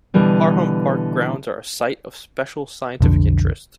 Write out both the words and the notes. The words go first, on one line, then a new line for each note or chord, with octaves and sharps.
Parham Park grounds are a Site of Special Scientific Interest.
B2 D3 E3 G3 B3
B1 F2 D3